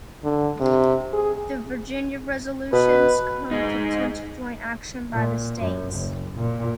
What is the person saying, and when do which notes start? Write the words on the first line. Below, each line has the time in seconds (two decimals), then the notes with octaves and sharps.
The Virginia Resolutions contemplate joint action by the states.
0.24 D3
0.60 C3
1.13 G#4
2.73 B2 B4
3.51 G#3 D#4
5.14 A#2
5.62 F#2
5.94 F#1
6.35 A#2